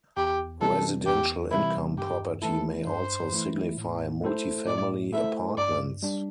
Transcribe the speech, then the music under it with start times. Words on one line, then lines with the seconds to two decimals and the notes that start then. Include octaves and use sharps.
Residential income property may also signify multifamily apartments.
0.17 E2 G4
0.61 C3 E3 G3 A4
1.06 E2 G4
1.51 C3 E3 G3 E4
1.97 G2 G4
2.42 E3 A3 E4 A4
2.87 G2 C5
3.32 E3 A3 E4
3.77 A2
4.22 A3 E4 A4 C5
4.67 A2 D5
5.12 A3 E4 A4 C5 E5
5.57 G2 D5
6.03 G3 D4